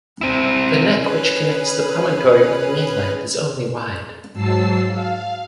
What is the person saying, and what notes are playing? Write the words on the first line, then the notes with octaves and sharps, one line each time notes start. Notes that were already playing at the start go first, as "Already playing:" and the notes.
The neck which connects the promontory with the mainland is only wide.
C4 E4
C#4 G#4 B4
G#2 F#3 A5 E6 C7
F5